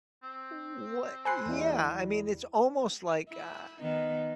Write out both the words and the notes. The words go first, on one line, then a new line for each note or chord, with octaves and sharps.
What Yeah, I mean, it's almost like, uh
C4
C5 G#5 B5 C6 F#6 C7
E2 G3 G#3 A#3 E4
G3
E4
D#3 B3 D#4